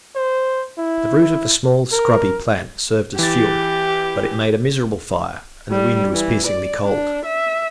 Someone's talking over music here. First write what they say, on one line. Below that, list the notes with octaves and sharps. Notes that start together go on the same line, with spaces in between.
The root of a small scrubby plant served as fuel, but it made a miserable fire, and the wind was piercingly cold.
C5
E4
A#4
E3 G4 A6
G3
E3
D5
D4
E5